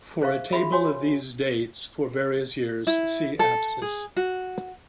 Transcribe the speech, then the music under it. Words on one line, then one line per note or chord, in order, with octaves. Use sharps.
For a table of these dates for various years, see Apsis.
G#4 C5 E5 F5 C#6
F4 F#4 G#4 E5 B5
F#4 C#5 G#5 C6
E4
A4
G#4
F#4